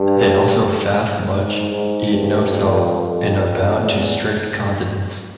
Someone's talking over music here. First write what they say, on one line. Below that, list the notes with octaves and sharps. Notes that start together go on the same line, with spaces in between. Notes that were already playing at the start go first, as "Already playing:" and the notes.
They also fast much, eat no salt, and are bound to strict continence.
Already playing: G2
G#2
G#2
G2
F2
F2
F2
E2